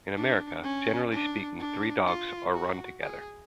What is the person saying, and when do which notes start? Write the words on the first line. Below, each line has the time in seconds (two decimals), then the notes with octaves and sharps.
In America, generally speaking three dogs are run together.
0.16 D4
0.64 C#4
1.12 D4
1.59 D4
2.06 F4
2.54 F#4
3.01 G#4